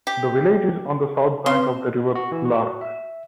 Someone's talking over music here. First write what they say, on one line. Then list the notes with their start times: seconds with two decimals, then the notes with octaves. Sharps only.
The village is on the south bank of the River Lark.
0.07 G4
1.46 C4 B4 C6
2.15 F#4
2.32 E3
2.45 F#4
2.81 E5